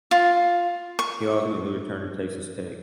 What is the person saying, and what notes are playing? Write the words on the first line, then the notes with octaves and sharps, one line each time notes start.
He ultimately returned to Texas Tech.
F4
C#6